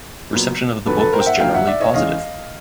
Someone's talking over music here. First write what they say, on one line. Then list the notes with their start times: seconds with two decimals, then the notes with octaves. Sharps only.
Reception of the book was generally positive.
0.32 A#2 F#3 B3
0.86 F2 D3 F#3 A4 B4
0.99 A4 B4
1.13 A#4 C5
1.20 G5
1.26 E5 F#5
1.40 F2 D3 F#3 F5 G5
1.54 E5 F#5
1.67 D5 E5
1.80 C#5 D#5
1.94 E2 C#3 E3 G#3 D#5 F5